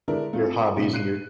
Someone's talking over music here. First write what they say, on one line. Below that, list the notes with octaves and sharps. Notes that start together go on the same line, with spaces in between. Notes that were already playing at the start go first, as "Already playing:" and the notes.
your hobbies and your
D3 G#3 D4 E4 A#4
A3 C4 F4
A#2 C#3
F#6 C7 D#7